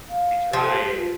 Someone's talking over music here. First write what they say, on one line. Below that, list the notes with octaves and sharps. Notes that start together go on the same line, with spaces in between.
We try it.
F5
F3 G4
A4
G4
G4
F4